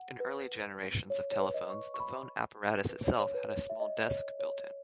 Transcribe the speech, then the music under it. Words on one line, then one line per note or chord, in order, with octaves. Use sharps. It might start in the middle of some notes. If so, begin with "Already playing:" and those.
In early generations of telephones the phone apparatus itself had a small desk built-in.
Already playing: F#5
B4
C#5
C#5
B4
D#5
C#6
C#6
B5
B4
C#5
C#5
B4
C#5
E5
D#5
C#5
C#5